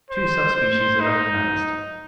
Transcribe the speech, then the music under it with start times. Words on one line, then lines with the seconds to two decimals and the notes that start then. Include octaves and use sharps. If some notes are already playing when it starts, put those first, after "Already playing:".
Two subspecies are recognized.
0.10 C5
0.55 C5
1.00 D#4